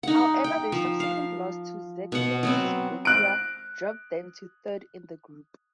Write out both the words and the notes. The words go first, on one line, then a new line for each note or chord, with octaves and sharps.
However, their subsequent loss to Czechoslovakia dropped them to third in the group.
D#4 F#5
G5
F3
F5
B2 F#5
F#3 B3 C4
F#6 D7